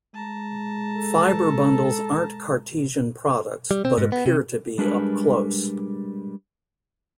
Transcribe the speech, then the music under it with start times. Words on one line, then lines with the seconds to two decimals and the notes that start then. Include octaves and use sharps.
Fibre bundles aren't cartesian products, but appear to be up close.
0.14 G#3 A5 A#5
0.96 A4
3.71 G3
3.85 C4
3.98 G#2
4.12 B3
4.26 C3
4.78 G3 G#3 D4 G#4 A#4 B4